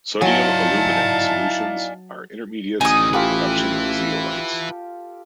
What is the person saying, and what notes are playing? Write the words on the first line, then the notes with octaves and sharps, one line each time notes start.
Sodium aluminate solutions are intermediates in the production of zeolites.
F#3 D#4 E4 D5 F5 G#5 A5
A1 D3 D#4 G#5 D#6
E4 F4 G4 A4 B4